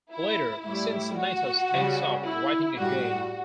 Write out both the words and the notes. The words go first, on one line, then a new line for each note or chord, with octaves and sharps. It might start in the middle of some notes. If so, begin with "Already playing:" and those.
Later, Cincinnatus takes up writing again.
E4
A2 G3 E4
F#4
C#3 G3
E4
A2 G3 F#4